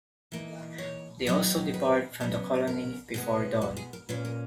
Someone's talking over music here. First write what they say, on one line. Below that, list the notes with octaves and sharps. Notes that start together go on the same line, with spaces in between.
They also depart from the colony before dawn.
E3 A#3 D#4
C#5
D#3 F#3 B3 D#4
B4
C#3 F#3 B3
A#4
B2 G#3 B3
F#4
G#4
A#4
A#2 A#3 C#4 B4
A#4